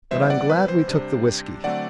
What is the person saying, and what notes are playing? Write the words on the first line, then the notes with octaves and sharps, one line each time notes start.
But I'm glad we took the whisky.
C3 E3 G3 B3 C5 E5
D5 F#5
B4
C5
C3 G3 D4
D3 F#3 A3 C4 D5 F#5